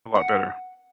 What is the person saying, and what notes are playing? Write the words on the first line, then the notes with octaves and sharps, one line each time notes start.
a lot better.
F#5